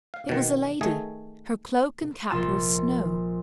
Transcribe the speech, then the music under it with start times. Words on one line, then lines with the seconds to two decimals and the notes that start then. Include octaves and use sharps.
It was a lady; her cloak and cap were of snow.
0.14 F5
0.29 B2 D#3
0.81 D#3 A3 G#4
2.30 A#1 F4 C6 A6 E7